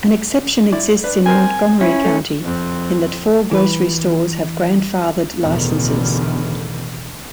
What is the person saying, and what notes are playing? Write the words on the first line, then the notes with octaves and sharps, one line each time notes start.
An exception exists in Montgomery County, in that four grocery stores have grandfathered licenses.
E4 D5
D4 B4
C4 A#4 C5 G#5
C#4 E4
A3
F2 C4
E3 B4
A1 E2 B2 D3 D#3